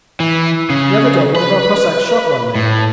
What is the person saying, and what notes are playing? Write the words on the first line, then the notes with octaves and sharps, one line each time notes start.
The other day one of our Cossacks shot one there.
E3
C#3
B4
A2